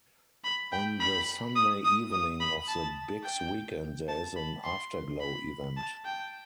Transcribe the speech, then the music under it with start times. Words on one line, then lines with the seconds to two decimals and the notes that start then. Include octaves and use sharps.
On the Sunday evening of the Bix weekend there is an 'Afterglow' event.
0.44 B5
0.72 G5
1.00 B5
1.56 D#6
1.85 D#6
2.12 D#6
2.40 B5
2.68 A5
3.24 G5
4.08 A5
4.36 B5
4.65 C6
5.20 B5
5.77 A5
6.05 G5